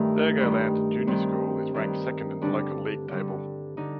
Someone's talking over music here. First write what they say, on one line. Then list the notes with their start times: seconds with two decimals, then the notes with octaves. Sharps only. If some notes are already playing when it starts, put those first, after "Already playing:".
Thurgoland Junior School is ranked second in the local league table.
Already playing: G2 D#3 A3
0.40 G2 D#3
1.07 G2 D#3 C4
1.74 G2 D#3
2.41 G2 D3 D4
3.09 G2 D3
3.77 D3 D#4